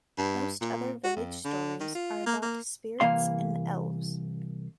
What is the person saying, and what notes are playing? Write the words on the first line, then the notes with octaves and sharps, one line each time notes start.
Most other village stories are about spirits and elves.
G2
A#2
F#4
F2
D3
D#3
F4
A#3
A#3
C2 E3 A#3 F5 C6